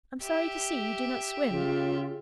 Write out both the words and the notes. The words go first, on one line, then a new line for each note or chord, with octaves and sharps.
I'm sorry to see you do not swim.
G4 E5
C#3 F4